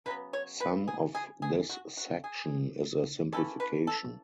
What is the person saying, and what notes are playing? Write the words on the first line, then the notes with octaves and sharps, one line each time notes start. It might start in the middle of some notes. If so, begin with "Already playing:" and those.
Some of this section is a simplification.
C#3 F#3 B3 B4
C#5
B4
G#4
G#4
G#4
F#4
F#4
G#4
C#3 E3 A3 A4
B4
A4